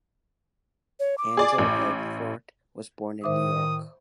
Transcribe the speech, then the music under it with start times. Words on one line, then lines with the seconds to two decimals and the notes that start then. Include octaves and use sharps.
Ansel Elgort was born in New York.
1.00 C#5
1.18 D6
1.37 G#4 D5
1.58 A1
3.24 A2 D#3 C5 E5 D6 D#6